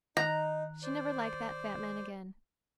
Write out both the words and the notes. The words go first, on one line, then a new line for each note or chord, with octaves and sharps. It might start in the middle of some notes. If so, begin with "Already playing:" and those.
She never liked that fat man again.
D#3 D#4 A#5 F#6
C5 D5